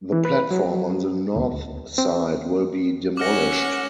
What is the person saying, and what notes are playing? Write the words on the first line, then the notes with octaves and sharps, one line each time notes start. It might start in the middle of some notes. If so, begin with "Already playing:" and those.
The platform on the north side will be demolished.
E3
B4
F#3
D2
C4
C#4 F#5 D6 F6 A#6